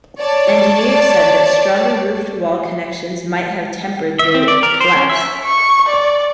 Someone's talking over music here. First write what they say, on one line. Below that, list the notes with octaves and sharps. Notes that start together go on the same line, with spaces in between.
Engineers said that stronger roof-to-wall connections might have tempered the collapse.
C#5 D5 A5
E5
C4
D5
A#4
C5
C#4
E5
C#6
D5